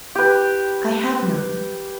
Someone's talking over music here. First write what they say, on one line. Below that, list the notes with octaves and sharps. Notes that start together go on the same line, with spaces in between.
"I have none."
G4 B4